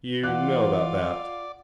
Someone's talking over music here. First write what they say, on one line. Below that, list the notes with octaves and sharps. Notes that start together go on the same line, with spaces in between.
"You know about that?"
E3 F4 D5 F#5 F#6